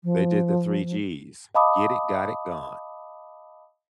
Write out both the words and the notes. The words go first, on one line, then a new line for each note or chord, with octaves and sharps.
They did the three g's. Get it. Got it. Gone.
F3
D#5 F5 A5 B5 D6 D#6